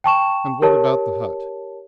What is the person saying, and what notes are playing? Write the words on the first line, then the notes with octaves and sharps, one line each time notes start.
"And what about the hut?"
G5 A5 C#6 E7
G4 A#4 C#5 A5